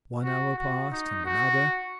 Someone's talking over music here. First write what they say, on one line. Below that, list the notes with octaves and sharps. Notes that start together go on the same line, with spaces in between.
One hour passed, and another.
F#4
F#4
D#4
F#4